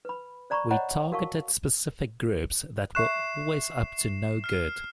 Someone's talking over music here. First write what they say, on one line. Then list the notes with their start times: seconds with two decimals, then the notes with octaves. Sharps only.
We targeted specific groups that were always up to no good.
0.05 B4 B5
0.50 C5 D5 A#5 B5 C#6
0.70 C5 C#5 D#5 F#5 A#5 B5
1.12 F#4 A#4 F5 A5 C#6
2.95 E5 C#6 F#6 C7 E7
4.44 F6 C7